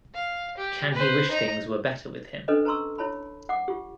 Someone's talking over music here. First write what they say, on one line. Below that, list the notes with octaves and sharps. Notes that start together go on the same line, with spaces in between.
Can he wish things were better with him?
F5
G4
B4 C5
D#4 A#5
C#4 D4 A4 B4 C5 D#5
B4 A5 A#5 C6 C#6 E6
E4 C#5 A5 B5
F#5 D6
F4 G4